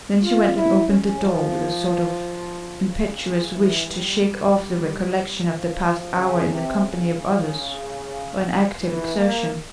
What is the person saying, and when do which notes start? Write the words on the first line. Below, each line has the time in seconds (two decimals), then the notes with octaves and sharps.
Then she went and opened the door, with a sort of impetuous wish to shake off the recollection of the past hour in the company of others, or in active exertion.
0.22 F4
0.56 E4
0.89 C#4
1.22 F3
2.87 C#3
3.53 E3
3.86 G3
5.52 F3
6.18 C#3
6.51 C3
6.84 C#3
8.82 E3
9.15 A#3